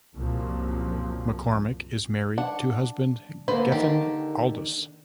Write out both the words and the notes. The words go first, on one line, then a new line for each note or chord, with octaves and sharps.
McCormick is married to husband Gethin Aldous.
C2 F#2 A#2 F3
D4 F#5
D3 A#3 B4 C5
D#3 G4